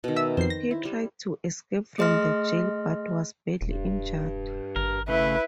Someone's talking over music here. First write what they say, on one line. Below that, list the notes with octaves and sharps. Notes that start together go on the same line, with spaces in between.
He tried to escape from the jail but was badly injured.
B2 D#3
E5 E6
F2 C5 C7
A#6
E4
G3
A3 G#4 D#5 C6 F6 A#6
E1 G2
G#1 A#4
C#3 A3 E4 B4